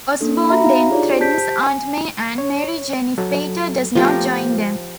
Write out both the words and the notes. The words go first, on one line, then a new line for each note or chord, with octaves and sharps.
Osborn then threatens Aunt May and Mary Jane if Peter does not join them.
A#3 D4 A4
F#4 E5 A#5 B5
D#4 F5 A#5
D4 F4 G4 G#4 C#5 D5
G4 C5 A5 G6 B6 D7
G#5
C#5
F#3 A4
F3 A3 B3 F4 G4 A#4